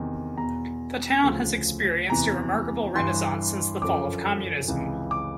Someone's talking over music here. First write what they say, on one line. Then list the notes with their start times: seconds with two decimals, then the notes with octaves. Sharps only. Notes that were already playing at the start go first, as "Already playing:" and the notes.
The town has experienced a remarkable renaissance since the fall of Communism.
Already playing: E2 C3 D#3
0.37 E2 B2 A#5
1.24 D2 C#3 F3
2.09 E2 C3 E3 A#5
2.95 G2 E3 C6
3.82 F#2 D3 F3 D6
4.68 C#2 C3 E3
5.11 D6